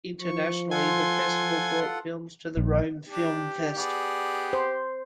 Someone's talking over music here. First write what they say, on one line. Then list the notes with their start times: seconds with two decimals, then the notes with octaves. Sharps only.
Internationally, the Festival brought films to the Rome Film Fest.
0.21 F3 C#6
0.71 F4 A4 F#5 G#5 C6
2.57 A#1
3.09 D4 G4
3.77 B3 G#4 D5
4.53 C5